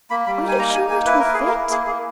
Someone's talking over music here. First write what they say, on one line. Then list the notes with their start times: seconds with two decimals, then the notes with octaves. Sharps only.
Are you sure it will fit?
0.10 A#3 B5
0.26 G3 B5
0.43 D#4
0.48 G#5
0.58 A#3 A#5
0.74 D#4 G#5
0.90 A#3 G#5
1.06 E4 B4
1.19 E4 A#4
1.34 G#4
1.39 A#3
1.47 A#4
1.54 E4
1.70 A#3 G#4
1.86 A#3 G#4